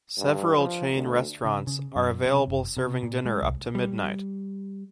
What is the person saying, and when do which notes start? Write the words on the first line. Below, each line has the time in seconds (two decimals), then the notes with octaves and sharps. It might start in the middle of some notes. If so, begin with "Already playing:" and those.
Several chain restaurants are available serving dinner up to midnight.
0.18 G2
0.57 F3
0.93 D2
1.44 C#3
1.67 C#3
1.96 F#2
2.26 C3
2.48 F#1
2.77 C3
3.03 A#2
3.25 G#3
3.42 C2
3.75 G3